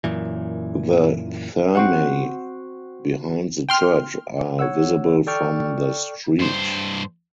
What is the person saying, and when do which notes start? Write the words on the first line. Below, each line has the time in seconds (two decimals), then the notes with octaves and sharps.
The thermae behind the church are visible from the street.
0.04 F#2 A#2 E3
1.75 C4 F#4 F#5
3.69 G5 C6 F6
4.59 C#5 F#5 E6
5.27 A4 D5 G5 C#6 F6
6.39 G2 C5